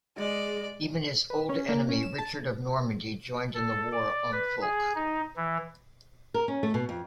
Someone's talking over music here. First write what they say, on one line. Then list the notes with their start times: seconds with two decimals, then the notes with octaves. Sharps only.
Even his old enemy, Richard of Normandy joined in the war on Fulk.
0.18 G#3 G#4 D5
1.30 B4
1.49 C#4
1.69 A#3
1.89 C#4
2.03 E7
2.18 A5
3.55 A4
3.92 D5
4.32 B4
4.62 G#4
4.95 D#4
5.36 E3
6.34 A#4
6.48 C#4
6.63 A3
6.74 B2
6.89 F2